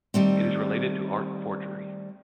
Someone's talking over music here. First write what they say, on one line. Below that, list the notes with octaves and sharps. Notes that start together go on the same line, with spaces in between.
It is related to art forgery.
D#3 G3 A3 C4